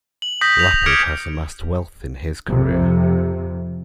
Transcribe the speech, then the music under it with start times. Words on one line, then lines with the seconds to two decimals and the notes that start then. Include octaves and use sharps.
Lapid has amassed wealth in his career.
0.22 F#7
0.41 D#6 G6 A#6 B6
0.59 F7
0.86 D6 F6 G6 G#6 C#7 D7
2.46 F2 C3